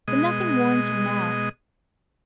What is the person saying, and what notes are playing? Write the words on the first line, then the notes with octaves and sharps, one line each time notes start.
But nothing warns him now.
B2 G#3 D#5 D#6